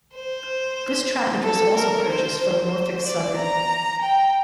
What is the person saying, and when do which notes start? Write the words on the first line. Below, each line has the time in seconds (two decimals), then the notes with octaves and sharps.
This trackage was also purchased from Norfolk Southern.
0.14 C5
1.43 A4
1.76 A#4
2.08 C5
2.40 C5
3.04 D5
3.37 A#5
4.01 G5